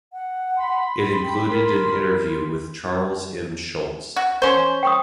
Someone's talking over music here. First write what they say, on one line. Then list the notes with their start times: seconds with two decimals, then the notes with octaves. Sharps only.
It included an interview with Charles M. Schulz.
0.13 F#5
0.56 B5 C6
1.23 G5
1.50 A#4
4.16 F#4
4.42 C#4 C5 C6 C#6
4.83 G5 C#6 D#6